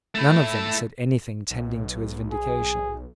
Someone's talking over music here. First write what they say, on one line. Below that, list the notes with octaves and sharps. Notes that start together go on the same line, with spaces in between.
None of them said anything tending to his vindication.
A3 E4
B1
G#4